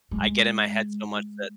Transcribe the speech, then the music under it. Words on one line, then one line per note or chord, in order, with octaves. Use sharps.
I get in my head so much that
G#3